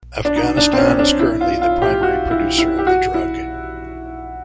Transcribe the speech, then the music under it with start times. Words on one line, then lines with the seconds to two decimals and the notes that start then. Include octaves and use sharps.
Afghanistan is currently the primary producer of the drug.
0.25 D4
0.36 D#4
0.57 D4
0.73 C4
0.78 C#4
0.90 C#4
0.99 D4
1.20 E4
1.41 F4
1.62 F4
1.82 G4
2.03 F#4
2.31 E4
2.58 E4
2.78 G4
2.87 F#4
3.14 E4